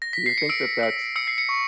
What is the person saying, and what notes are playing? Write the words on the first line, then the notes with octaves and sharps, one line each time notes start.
Do you think that that's
A#6
B6
C7
C#7
E6 D7
E6
E6 C#7
C7
C#7
C#6